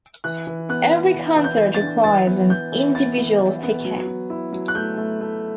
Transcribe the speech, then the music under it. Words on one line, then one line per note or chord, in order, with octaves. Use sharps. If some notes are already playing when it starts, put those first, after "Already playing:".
Every concert requires an individual ticket.
E3 F#6
E3
B3 F#6
B3
E3
E3
G6
E3
A6
D4
E3 A6
B3
B3 G6
E3
B3 A6
E3
E3
B3
F#3
F#3
E4
F#3
F#6
A3 G6
A3
A3